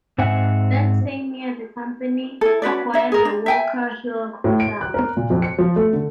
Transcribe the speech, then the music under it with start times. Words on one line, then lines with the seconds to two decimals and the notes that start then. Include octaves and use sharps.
That same year, the company acquired the Walkerhill Hotel.
0.18 G#2 C4 E5 F#5 G#5
2.41 E4 A4
2.62 C#4 F#4 B4 D5
2.94 D4 E5
3.12 G#4 A#4
3.25 D4
3.46 E5 G5 G#5
4.44 A2
4.60 D7
4.81 F#6
4.94 A#4
5.17 A#2
5.30 F2
5.42 C#7
5.58 F3
5.76 A3
5.93 D3